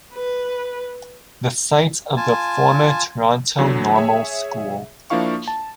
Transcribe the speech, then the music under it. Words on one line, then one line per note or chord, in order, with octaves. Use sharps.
The site of the former Toronto Normal School.
B4
F4 G#5 A5
E2 D3 F#3
G#4 C#5 E5
F3 A#3 D4 E4 F5 C#6
A5